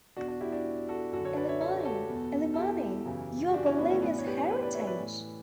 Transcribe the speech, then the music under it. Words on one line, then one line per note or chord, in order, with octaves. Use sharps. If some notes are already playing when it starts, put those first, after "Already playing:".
Illimani, Illimani, you are Bolivia's heritage!
E2 B2 D4 F#4
D4 F#4
E4 G4
D4 F#4
F#4 A4
F#2 D3 F#4 A4
A4 C#5
B4 D5
C#5 E5
A4 C#5
G4
F#4 A4
E2 B2
A4
E4 G4
F#2 C#3 E3
G4
D4 F#4
C#4 E4
B3 D4
A3 C#4
A2 E3 B3 D4
C#5
G4 B4
G4 B4
B4 D5
C#5 E5
B4 D5
A2 E3